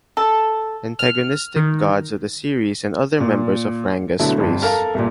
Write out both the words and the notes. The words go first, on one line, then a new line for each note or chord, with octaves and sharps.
Antagonistic gods of the series and other members of Ranga's race.
A4
F6
D#3
A#2
B2 D3 F#3 A3 E4
G1 F2
A4 A#4 F5 A5 A#5
C2 A#2